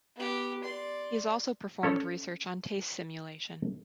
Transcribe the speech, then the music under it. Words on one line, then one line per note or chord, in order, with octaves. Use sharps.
He has also performed research on taste simulation.
B3 G4
D5 C6
C#4 A4 C#5